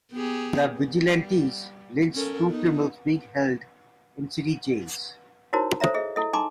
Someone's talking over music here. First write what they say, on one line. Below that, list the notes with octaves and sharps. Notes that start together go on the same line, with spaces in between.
The vigilantes lynched two criminals being held in city jails.
B3 G4 G#4
G3
C#4 A4 A#4
B3 D#4
D#4 E4 F#4 A#4 C5 C#5
A4 C5 C#5 E5 A#5
G#4 D#5
E4 A4 D#5
D#4 G#5 A#5 C6 D6